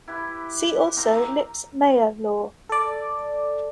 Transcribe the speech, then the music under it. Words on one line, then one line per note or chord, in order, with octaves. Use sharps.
See also: Lipps-Meyer law.
E4 G4 B4
C4 A#4 G5 A#5
A4 D5